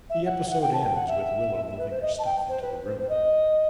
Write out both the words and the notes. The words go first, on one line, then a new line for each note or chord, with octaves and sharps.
The episode ends with Willow moving her stuff into the room.
E5
F#5
F#5
G5
A5
G5
F#5
E5
E5
B4
C5
D#5
A5
G5
C5
B4
C5
C5
D#5